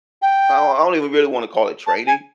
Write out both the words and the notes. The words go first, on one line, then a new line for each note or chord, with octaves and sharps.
I don't I don't even really wanna call it training,
G5
A5
G#5